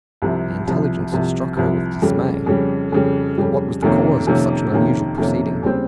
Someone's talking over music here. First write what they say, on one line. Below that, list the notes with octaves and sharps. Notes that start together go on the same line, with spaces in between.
The intelligence struck her with dismay. What was the cause of such an unusual proceeding?
C2 C3 F3
C2 C3 F3
C2 C3 F3
C2 C3 F3
F2 C#3 G3
F2 C#3 G3
F2 C#3 G3
F2 C#3 G3
F2 C3 D#3 A#3 C#4
F2 C3 D#3 A#3 C#4
F2 C3 D#3 A#3 C#4
F2 C3 D#3 A#3 C#4
D#2 C#3 G3 C4